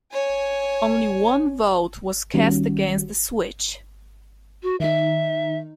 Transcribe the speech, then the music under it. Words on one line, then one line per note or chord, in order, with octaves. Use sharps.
Only one vote was cast against the switch.
C#5 G#5
D#3 G3 C#4 F#4
F#4
D#3 D#4 E5